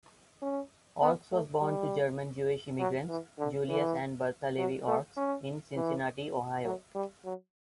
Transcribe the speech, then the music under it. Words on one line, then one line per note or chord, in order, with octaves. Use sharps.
Ochs was born to German-Jewish immigrants, Julius and Bertha Levy Ochs, in Cincinnati, Ohio.
C#4
B3
A3
G3
F#3
E3
D3
E3
F#3
A3
C#4
E3
F#3
G3
F#3